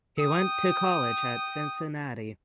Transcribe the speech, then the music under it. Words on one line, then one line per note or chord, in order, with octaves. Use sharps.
He went to college at Cincinnati.
G5 D#6